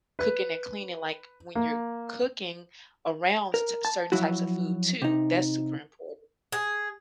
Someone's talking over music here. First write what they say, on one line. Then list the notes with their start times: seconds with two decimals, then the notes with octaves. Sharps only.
cooking and cleaning. Like, when you're cooking around c certain types of food too, that's super important.
0.19 B4
1.55 A#3
3.54 A#4
3.85 A5
4.12 F3 F#3 E4 F#4
5.02 C3 D#4
6.52 G#4